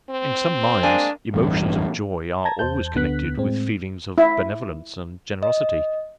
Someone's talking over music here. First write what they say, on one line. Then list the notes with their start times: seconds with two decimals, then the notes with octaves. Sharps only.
In some minds, emotions of joy are always connected with feelings of benevolence and generosity.
0.10 C4
0.83 G#3 A#3 D4 G#5
1.34 A1 E2 G2
2.45 A5 A#5 G#6 A#6
2.59 E2 C5 A5 G6
2.95 D2 D3 B3 F#6 B6
3.38 A2 G#3 C4
4.18 E4
5.43 D#5